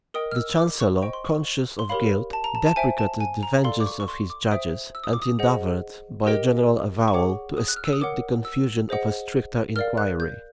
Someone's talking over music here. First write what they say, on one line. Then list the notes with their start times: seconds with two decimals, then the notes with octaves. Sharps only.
The chancellor, conscious of guilt, deprecated the vengeance of his judges, and endeavored, by a general avowal, to escape the confusion of a stricter inquiry.
0.14 A#4 D#5 G5 D#6
0.31 F6
0.36 E6
0.58 D6
0.80 C#6
1.02 C5 D#5 G5 C#6
1.13 C6
1.25 C#6
1.79 C6
1.89 G4 A#4 C#5 F5 B5
2.33 A5
2.44 A#5
2.55 A5
2.66 A5
2.76 C5 E5 G5 G#5
2.99 A5
3.20 G#5
3.43 A#5
3.64 A4 D5 F5 C6
3.80 D6
3.86 C#6
4.00 C#6
4.08 C6
4.30 D6
4.51 C5 E5 G5 D#6
4.95 E6
5.04 D#6
5.13 D6
5.22 D#6
5.39 G#4 C5 D#5 F#5
6.26 G4 A#4 D#5 G5
7.08 C#6
7.14 G#4 C#5 F#5 D6
7.57 D#6
7.68 F#6
7.76 F6
7.85 E6
7.93 D#6
8.01 A#4 C#5 F#5 D6
8.45 E6
8.89 G#4 C5 D#5 F#5
9.76 A#4 D5 F5 F6
9.97 F#6
10.20 G6